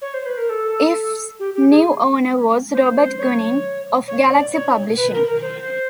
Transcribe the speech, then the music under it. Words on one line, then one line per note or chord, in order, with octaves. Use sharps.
"If"'s new owner was Robert Guinn, of Galaxy Publishing.
C#5
C5
B4
A#4
A4
G4
G4
G#4
C5
C5
C#5
C#5
D5
C#5
B4
A#4
A#4
C5